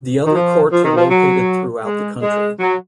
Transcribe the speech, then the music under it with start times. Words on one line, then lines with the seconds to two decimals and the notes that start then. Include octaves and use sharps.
The other courts are located throughout the country.
0.25 D#3
0.34 F3
0.71 F3
0.83 D#3
0.95 F3
1.09 F#3
1.84 G#3
2.21 G#3
2.59 F#3